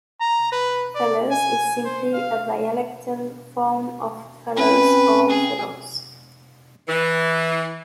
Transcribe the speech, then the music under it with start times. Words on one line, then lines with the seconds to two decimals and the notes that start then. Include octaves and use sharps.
"Fellers" is simply a dialectal form of "fellas" or "fellows".
0.21 A#5
0.52 B4
0.95 D5
1.31 G#5
1.85 C5
2.13 F5
4.57 C4 C#4 B4
5.30 G#4
6.88 E3